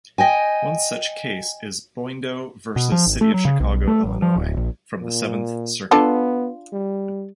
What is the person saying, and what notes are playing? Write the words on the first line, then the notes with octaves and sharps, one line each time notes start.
One such case is "Biondo versus City of Chicago, Illinois", from the Seventh Circuit.
D#5 G5 G#5
B2
F3
G#1
A3
F#3
C#3
B1
A3
A1
F3
D1
A#1
A#2
B3 D4 F4 A4
G3